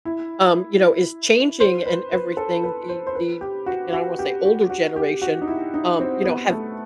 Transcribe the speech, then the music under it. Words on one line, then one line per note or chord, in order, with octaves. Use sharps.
um, you know, is changing and everything, the the and I wanna say older generation, um, you know, have
E4
C5
B4
B4
A4
B4
C5
C5
B4
G4
F#4
F#4
G4
F#4
F#4
G4
F#4
D#4
E4
D#4
C4
B3
A3